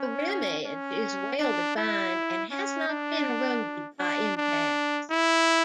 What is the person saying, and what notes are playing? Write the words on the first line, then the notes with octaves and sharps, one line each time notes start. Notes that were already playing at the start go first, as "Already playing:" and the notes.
The rim edge is well-defined and has not been eroded by impacts.
Already playing: C#4
C#4
D4
E4
C#4
D4
D4
D4
E4